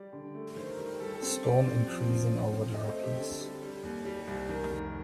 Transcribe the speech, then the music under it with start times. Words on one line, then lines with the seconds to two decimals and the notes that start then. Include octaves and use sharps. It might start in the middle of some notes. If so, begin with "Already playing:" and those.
Storm increasing over the Rockies.
Already playing: G3 D5
0.13 D3
0.34 A3
0.56 D#3 C5
0.71 A#4
0.78 G3
1.00 G3 A4
1.15 A4
1.22 C4
1.43 G3 D5
1.65 C4
1.87 F3
2.09 C4
2.31 F3
2.52 C4
2.74 A3 D#5
2.89 C5
2.96 C4
3.03 G4
3.18 D3 A4
3.40 G3
3.62 G3
3.83 D#2
4.05 G3
4.27 C2
4.49 D#3 A#4
4.70 F1 A#4